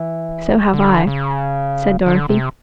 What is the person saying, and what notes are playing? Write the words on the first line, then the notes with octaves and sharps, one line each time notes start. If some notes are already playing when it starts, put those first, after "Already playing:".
"So have I," said Dorothy.
Already playing: E3
D3
C#3
D3
C3